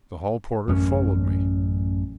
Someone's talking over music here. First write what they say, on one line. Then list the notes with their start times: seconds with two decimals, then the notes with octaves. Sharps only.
The hall porter followed me.
0.68 A1 F#2 C#4